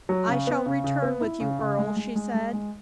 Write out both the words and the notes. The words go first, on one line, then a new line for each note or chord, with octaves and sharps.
"I shall return with you, Earle," she said.
F#3
C#3
B3
C#3
C#3
B3
E4
C#3
C#3
G#3
G#3
G#3
G#3
G#3